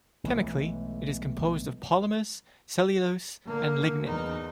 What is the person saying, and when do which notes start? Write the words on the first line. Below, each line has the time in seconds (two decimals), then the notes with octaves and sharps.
Chemically, it is composed of polymers, cellulose and lignin.
0.24 B1 E3 G#3 A3
3.45 D3 A#3
4.04 E2 D#4